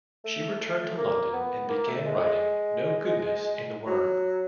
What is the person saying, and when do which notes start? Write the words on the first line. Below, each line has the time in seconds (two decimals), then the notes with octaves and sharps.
She returned to London and began writing "No Goodness in the Worm".
0.25 A3
0.60 A3
0.97 A#3
1.33 B3
1.69 A#3
1.88 A3
2.06 G#3
2.19 A3
2.24 G#3
3.87 F#3